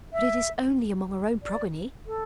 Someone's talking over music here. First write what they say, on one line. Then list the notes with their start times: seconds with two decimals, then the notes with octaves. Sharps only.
'But it is only among our own progeny.'
0.13 E5
1.43 D5
2.07 A4